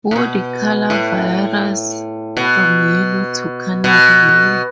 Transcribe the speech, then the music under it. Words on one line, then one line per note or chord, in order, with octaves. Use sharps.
Body color varies from yellow to canary yellow.
A2
B2
A2
B2
B2